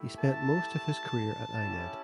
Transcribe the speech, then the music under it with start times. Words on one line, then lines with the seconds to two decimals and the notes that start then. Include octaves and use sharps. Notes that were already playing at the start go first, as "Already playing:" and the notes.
He spent most of his career at Ined.
Already playing: A3 E4 G4
0.19 A5
1.60 C#4 E4 G4